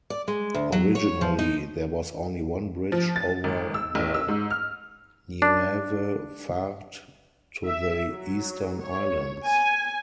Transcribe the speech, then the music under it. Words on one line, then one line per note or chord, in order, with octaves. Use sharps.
Originally there was only one bridge over the Nieuwe Vaart to the Eastern Islands.
D5
G#3
D2
F#3
C#5
F3
D#4
F3
A6
G#1
E6
A1
E6
G#2
F6
D4
E5
F#3
C#5
G#5